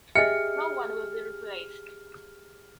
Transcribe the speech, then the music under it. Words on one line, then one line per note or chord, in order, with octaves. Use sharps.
No one will be replaced.
G4 G#4 D#5 E5 F6 C#7